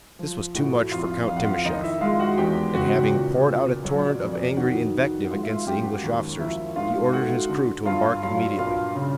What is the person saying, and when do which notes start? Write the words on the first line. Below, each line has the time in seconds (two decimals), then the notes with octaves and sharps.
This was too much for Count Timascheff, and having poured out a torrent of angry invective against the English officers, he ordered his crew to embark immediately.
0.19 F3
0.55 A2 F#4 F#5
0.92 F2 F4 F5
1.28 F2 F5
1.37 F#5
1.43 F4 F5
1.65 D#3 D#4 D#5
1.83 E4 E5
2.01 G#3 F4 F5
2.19 F#4 F#5
2.38 E2 G4 G5
2.74 C#3 F#4 F#5
3.11 A#2
3.47 A#2
3.84 F#3 C#5
4.09 D5
4.20 F2
4.33 D5
4.57 D#3 F#4 F#5
4.94 D#3
5.24 F#5
5.30 G#3 F4 F5
5.43 E5
5.48 F4 F5
5.66 F#2 G4 G5
5.85 F#4 F#5
6.03 D#2
6.39 F3 E4 E5
6.76 G#2 F4 F5
7.12 A3 F#4 F#5
7.49 D3
7.85 G2 F4 F5
8.23 F#3 F4 F5
8.58 A#2 F4 F5
8.95 C#3